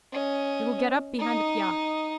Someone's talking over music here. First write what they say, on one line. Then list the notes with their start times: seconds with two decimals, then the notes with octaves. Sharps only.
You will get up behind the fiacre.
0.12 C#4 D#5
1.19 D#4 D#5